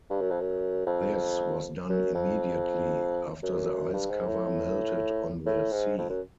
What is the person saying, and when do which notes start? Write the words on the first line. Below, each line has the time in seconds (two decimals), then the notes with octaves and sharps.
This was done immediately after the ice cover melted on the sea.
0.10 G2
0.21 F#2
0.31 F2
0.41 F#2
0.87 F2
1.90 F#2
2.15 F2
3.43 F#2
3.93 G2
4.10 G#2
4.28 A2
5.46 A2
5.72 G#2
5.98 F2
6.09 F#2